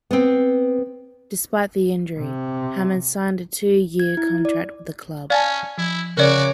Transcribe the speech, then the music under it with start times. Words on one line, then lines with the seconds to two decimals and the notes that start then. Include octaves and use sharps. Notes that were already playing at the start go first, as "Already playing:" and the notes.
Despite the injury, Hammond signed a two-year contract with the club.
0.11 B3 C4
2.19 C3
4.00 G#6
4.17 E4
4.45 D5
5.30 C#4 D5 F5 G#5 A5 A6
5.78 F3 E4
6.17 C#3 F#4 A#4 C#5 D5 D6